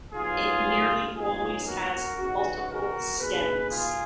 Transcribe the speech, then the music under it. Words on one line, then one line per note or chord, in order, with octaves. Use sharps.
It nearly always has multiple stems.
D#2 D#3 F#3 B3 F4 G#4
A#2 F#3 B3 D#4 F4 G#4
F#4 A#4
C#3 G#3 B3 D#4 F#4
F#4 A#4
B2 A#3 D#4 G#4 B4
F4 G#4